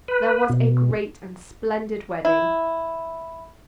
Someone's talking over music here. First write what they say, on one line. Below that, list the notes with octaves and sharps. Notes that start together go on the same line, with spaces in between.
There was a great and splendid wedding.
B4
B2
E4